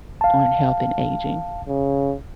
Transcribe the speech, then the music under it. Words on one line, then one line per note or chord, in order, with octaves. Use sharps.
on health and aging
F5 A5
C#3